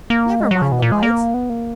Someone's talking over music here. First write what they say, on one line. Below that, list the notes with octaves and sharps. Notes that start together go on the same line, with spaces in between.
Never mind the lights.
A#3
G#3
F#3
C#3
B2
A#2
G#3
A#3
B3
A#3